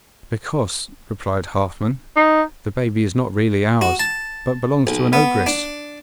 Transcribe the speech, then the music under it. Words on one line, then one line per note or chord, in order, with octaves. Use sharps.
'Because,' replied Halfman, 'the baby is not really ours, but belongs to an ogress.'
D#4
F#4
A5
B1
B3
D4